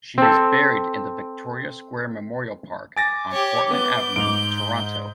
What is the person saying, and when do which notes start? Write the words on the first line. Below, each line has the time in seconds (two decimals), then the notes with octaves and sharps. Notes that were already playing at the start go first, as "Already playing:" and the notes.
She is buried in the Victoria Square Memorial Park on Portland Avenue, Toronto.
0.18 C4 A4
2.96 G#5 D6 A6 A#6
3.32 G4 C#5
3.71 B3 B4 G6
4.16 G#2 D7 F7